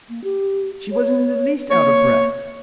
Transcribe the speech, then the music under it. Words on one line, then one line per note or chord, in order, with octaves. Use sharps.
She wasn't in the least out of breath.
A#3
G4
C#5
A#3 C#5